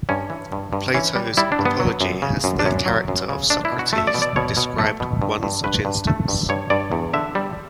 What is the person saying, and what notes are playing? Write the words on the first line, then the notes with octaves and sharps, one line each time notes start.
Plato's "Apology" has the character of Socrates describe one such instance.
G2 C#4
E3
G2
G2
E3 C#4
G3
G3 E4
D4
G2
B3
F#3
F#2
C#3
F#2
D4
F#2 C#4
F#3
F#2
C#3
A3 D4
E4
B2
F#4
A3
E5
D5
B2
D5
B2 C#5
B2
A3
B2
G2
G2
G2 B4
G2
A3
G2
G2 C#5
G2 D5
E2
D3 E5
G3